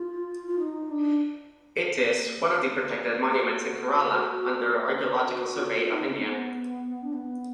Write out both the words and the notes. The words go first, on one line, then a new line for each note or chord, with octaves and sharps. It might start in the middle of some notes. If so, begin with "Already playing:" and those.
It is one of the protected monuments in Kerala under Archaeological Survey of India.
Already playing: F4
F4
D#4
D4
G#4
F#4
F#4
F4
D#4
B3
D4
B3